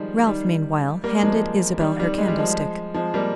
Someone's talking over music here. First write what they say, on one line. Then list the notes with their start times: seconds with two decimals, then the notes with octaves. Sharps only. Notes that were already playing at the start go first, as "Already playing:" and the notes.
Ralph meanwhile handed Isabel her candlestick.
Already playing: D#3 F3 G3 G#3
0.27 D#3 G3
1.04 G3 A#3
1.23 F3 G#3
1.80 D#3 G3
1.99 D#3 G3
2.18 G#3
2.28 G3
2.38 F3 G#3
2.94 F3 G#3
3.14 G3 A#3